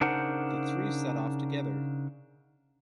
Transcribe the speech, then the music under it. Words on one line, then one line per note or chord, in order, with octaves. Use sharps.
The three set off together.
C#3 D4 D#4 A#4 C5 F#5